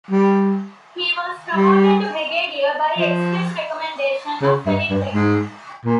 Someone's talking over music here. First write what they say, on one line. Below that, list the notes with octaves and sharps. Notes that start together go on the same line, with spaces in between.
He was promoted to Brigadier by express recommendation of Wellington.
G3
G3
F3
C#3
G2
G2
G#2
A#2